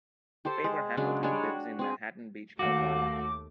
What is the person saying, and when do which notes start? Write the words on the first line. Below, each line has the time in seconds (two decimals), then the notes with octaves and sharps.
Favor Hamilton lives in Manhattan Beach, California.
0.45 G4 A4 C5
0.64 G#3
0.97 C#3 F#3 G#3 D4
1.23 G3 G#3 D4 C#5
1.43 F#4
1.79 C4 G#4
2.59 D#2 A3 F#4 F5 D6